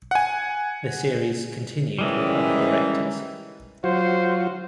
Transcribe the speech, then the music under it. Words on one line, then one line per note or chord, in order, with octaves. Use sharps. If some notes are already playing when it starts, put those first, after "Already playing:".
The series continued with other directors.
F#5 G#5
D#3 E3 G3 G#3 C#4
F#3 F4 F#4 C5